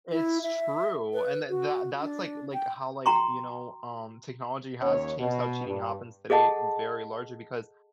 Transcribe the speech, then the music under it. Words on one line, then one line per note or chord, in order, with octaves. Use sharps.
It's true, and tha that that's like like how, like, you know, um, technology has changed how cheating happens today very largely because
E4
E5
B4
F#4
D4
G5
F#4 G5 A#5 C6 C#6
D#2 C#4 C#5
B2
G2
G#4 A4 D#5 F#5 A5